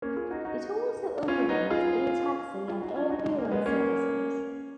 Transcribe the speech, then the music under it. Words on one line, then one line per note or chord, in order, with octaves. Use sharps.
It also operates air taxi and air ambulance services.
A#3 C#4
F4 G#4
D#4 F#4
D#4 F#4
C#4 F4
B3 D#4
F4 G#4
F4 G#4
D#4 F#4
C#4 F4
D#4 F#4
G#3
A#3
G#3 B3
A#3 C#4